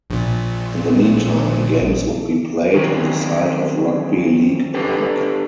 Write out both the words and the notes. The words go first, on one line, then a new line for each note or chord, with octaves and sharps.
In the meantime, games would be played in the site of Rugby League Park.
A#1 A#2
D#3 F#3 C4 C#4
D4 G4 A4 B4